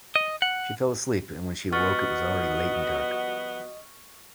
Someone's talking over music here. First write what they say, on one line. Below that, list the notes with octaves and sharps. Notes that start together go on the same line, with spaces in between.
She fell asleep, and when she awoke it was already late and dark.
D#5
F#5
F3 G3 B3 F#4 D#5 C#6 F6 A6